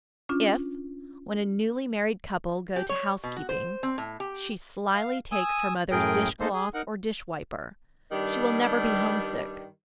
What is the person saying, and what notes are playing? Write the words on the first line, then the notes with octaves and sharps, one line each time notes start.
If, when a newly-married couple go to housekeeping, she slyly takes her mother's dish-cloth or dish-wiper, she will never be homesick.
C#4 D4 F4
G4
C#5
B2
F#4
C5
C4
A2
G4
F5
G#5 D#6 E6
F#2 A2 G#4 A#4 G5
G#3 A#3 D#4 A4 C5
G#4
D#4 A#4 F#5
G2 D#3 G3